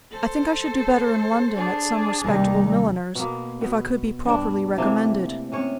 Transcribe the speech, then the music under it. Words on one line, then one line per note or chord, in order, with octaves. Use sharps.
I think I should do better in London; at some respectable milliner's, if I could be properly recommended.
A4 C5
D4 G#4
D#2 C3 G3 D#4
B2 A#3
B2
G2 D4
C3 E3 A3 A#3
C3 C#4 C#5